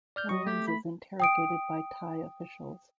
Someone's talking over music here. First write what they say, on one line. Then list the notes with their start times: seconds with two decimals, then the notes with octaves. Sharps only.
Williams is interrogated by Thai officials.
0.16 D5 F6 G6
0.29 F#3 D#5 C#6
0.47 A3 G4
0.67 B5
1.20 G5 D#6 D7